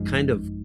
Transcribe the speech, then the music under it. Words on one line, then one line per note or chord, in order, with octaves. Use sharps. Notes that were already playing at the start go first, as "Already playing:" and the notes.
kind of
Already playing: G#1 F#2 F3 G#3 D#4